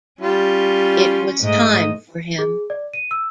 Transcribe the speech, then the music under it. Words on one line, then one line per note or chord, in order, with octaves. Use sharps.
It was time for him.
G3 C#4 F4
G#2 A3 D#5
G#4
D5
D#7
E6